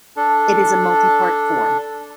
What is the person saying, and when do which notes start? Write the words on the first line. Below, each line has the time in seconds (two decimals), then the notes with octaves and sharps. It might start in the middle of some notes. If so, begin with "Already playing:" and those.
It is a multipart form.
0.16 D4 A4